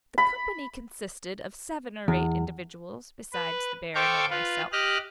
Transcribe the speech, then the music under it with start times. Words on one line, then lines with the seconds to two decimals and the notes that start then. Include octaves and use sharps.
The company consisted of seven or eight individuals besides the Baron and myself.
0.18 B5
2.08 E2
3.33 B4
3.95 A4 C5 F5 G5 C#6 D6
4.30 F4 B4
4.72 G4 D#5 F6 F#6